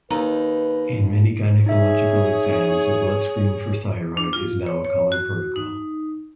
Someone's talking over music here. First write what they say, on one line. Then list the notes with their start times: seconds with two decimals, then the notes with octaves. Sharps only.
In many gynecological exams a blood screen for thyroid is now a common protocol.
0.11 D#2 D#4 B4 A#5
1.66 D#4 G#4 C#5 E5
4.17 D4
4.33 F4
4.66 C#5
4.85 C#5
5.12 F#4
5.56 D#4